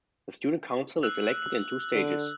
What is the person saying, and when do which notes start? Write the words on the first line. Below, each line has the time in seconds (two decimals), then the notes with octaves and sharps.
The Student Council is elected in two stages.
1.03 E6 F#6
1.94 D3